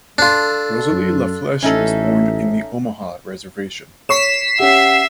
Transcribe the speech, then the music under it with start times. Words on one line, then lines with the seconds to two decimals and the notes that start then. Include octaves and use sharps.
Rosalie La Flesche was born in the Omaha reservation.
0.18 D4 F4 A4
0.91 F#2
1.63 A1 C#4 D#4 A4 E5
4.09 C#5 C#6 B6 C7 E7
4.60 C#4 G4 E5 F#5